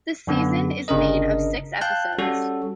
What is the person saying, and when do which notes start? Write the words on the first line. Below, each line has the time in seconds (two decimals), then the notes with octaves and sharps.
The season is made of six episodes.
0.27 F#2 D3 B3
0.88 G1 C#3 D4 A#4 D#5
1.81 F5 G5 A5 F#6 G6
2.18 G3 C#4 F#4 A4